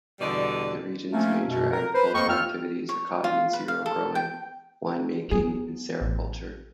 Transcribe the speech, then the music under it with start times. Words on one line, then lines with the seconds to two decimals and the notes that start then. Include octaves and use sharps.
The region's major agricultural activities are cotton and cereal growing, winemaking and sericulture.
0.20 E2 B2 D3 G3 D5 D#5
1.13 F3 A3 A#3 C4 C#4
1.46 F#2 B2
1.72 A#4
1.94 B4 C5
2.15 F2 A#3 D#5 G5 C#6
2.29 F4 G5 E6 F6
2.89 C#5
3.24 F4
3.53 B4
3.68 F5
3.86 A4
4.15 G5
5.31 F#3 B3 G#4
6.01 A1